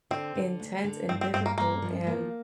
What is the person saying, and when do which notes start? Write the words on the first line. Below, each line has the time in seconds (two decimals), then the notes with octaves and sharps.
intense and difficult, and
0.11 D3 C4
0.35 D3
0.60 D2
0.84 D3
1.09 G2 C4
1.21 C4
1.33 G2 C4
1.46 A#3
1.58 G2 A#3
1.82 F3
2.07 A#3